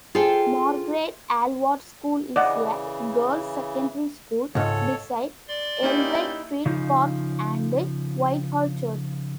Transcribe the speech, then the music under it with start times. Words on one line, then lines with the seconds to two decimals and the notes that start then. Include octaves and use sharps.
Margret Aylward School is a girls secondary school beside ellenfield park and Whitehall church.
0.15 F4 G#4 A4 C5 G5
2.36 C#3 E3 D5 D#5 F#5
4.55 C#2 G#2 A4 C#5
5.48 D5 C6
5.83 A#3 C#4 D#4 E4 G4
6.66 C#3 F3 D#4